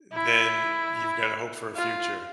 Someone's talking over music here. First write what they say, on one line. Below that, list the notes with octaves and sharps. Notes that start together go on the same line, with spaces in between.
then you've got a hope for a future.
E4
F4